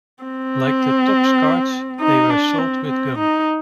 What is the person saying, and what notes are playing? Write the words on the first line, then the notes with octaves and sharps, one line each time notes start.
Like the Topps cards, they were sold with gum.
C4
D#4
D4
C4
C4
D#4